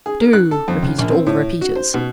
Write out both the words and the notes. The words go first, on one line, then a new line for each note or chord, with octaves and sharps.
"Doo!" repeated all the repeaters.
G#4
A#4
F#6
A4
F2
C#2
A#1
C4
A2
F#4
C5
B2